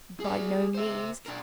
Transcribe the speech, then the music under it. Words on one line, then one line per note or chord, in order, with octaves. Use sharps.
'By no means.
G#4 D5
C5 E5
D4 A#4